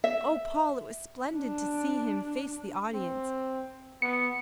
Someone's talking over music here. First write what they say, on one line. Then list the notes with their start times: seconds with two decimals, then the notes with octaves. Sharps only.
Oh, Paul, it was splendid to see him face the audience.
0.04 E5
1.35 D4
2.94 C4
4.02 B3 C#7